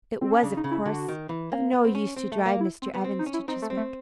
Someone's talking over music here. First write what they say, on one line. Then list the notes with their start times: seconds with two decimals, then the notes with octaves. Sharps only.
It was, of course, of no use to drive Mr. Evans to Chiswick.
0.21 C4
0.32 C#4
0.42 C#3 D4
0.57 D#4
0.64 C#3
0.71 E4
0.86 D3 F#4
1.08 D#3
1.29 E3
1.52 A#3
1.73 B3
1.85 C4
1.95 C#4
2.16 C4
2.32 A3
2.46 A#3
2.60 E4
2.82 C4
2.94 B3
3.04 C4
3.19 D#4
3.26 C#4
3.34 E4
3.48 C4 D#4
3.62 A3
3.70 C4
3.77 A3